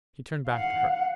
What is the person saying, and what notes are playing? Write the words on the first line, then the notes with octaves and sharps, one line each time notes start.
He turned back to her.
F5 F#5